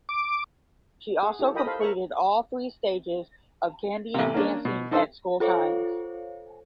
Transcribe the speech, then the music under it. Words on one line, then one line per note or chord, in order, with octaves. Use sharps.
She also completed all three stages of Kandyan dancing at school times.
D6
G#4 F#5
E4 G4 A4 C#5
F4 A#4 D#5 G5 B5 D#6
A4 C5 F5 B5
A#4 C#5 E5 C#6
A1 C3
A#3 C#4 D4
B2
D4 D#4 A4 C5 E5
F4 A4 C5 C#5 F5